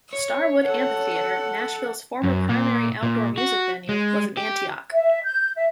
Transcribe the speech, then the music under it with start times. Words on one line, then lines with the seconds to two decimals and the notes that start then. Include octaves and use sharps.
Starwood Amphitheatre, Nashville's former primary outdoor music venue, was in Antioch.
0.13 C#5
0.63 A4 F#5
2.24 F#2
2.49 A#2
3.03 A#2
3.38 F#4
3.89 G#3
4.37 G4
4.92 E5
5.23 G6
5.56 E5